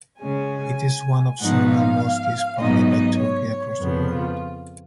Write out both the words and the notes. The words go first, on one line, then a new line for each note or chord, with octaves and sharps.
It is one of several mosques funded by Turkey across the world.
C#3 G#3 C#4 G#5
G#2 F3 B3 D#4 F#5
F5
G#2 F#3 B3 D#4 D#5
D#5
C#5
C#5
F2 C#3 F3 B3
F4